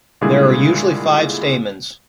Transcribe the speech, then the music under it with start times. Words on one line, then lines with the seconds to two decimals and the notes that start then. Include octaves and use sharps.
There are usually five stamens.
0.21 A#2 D3 G3 G#3 E4 G#4